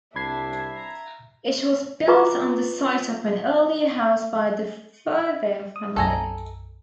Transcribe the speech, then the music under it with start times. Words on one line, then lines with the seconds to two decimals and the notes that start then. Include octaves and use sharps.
It was built on the site of an earlier house by the Furtho family.
0.16 C2 D4 E5 B5 G#6 C7
0.76 A#5
2.07 F4 B4 A#5 C#6 D6
5.76 D#6
5.96 B1 F#2 A4 G#5 A#5